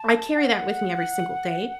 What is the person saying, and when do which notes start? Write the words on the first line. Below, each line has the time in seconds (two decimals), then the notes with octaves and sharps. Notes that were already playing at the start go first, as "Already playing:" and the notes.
I carry that with me every single day,
Already playing: A5
0.38 F#5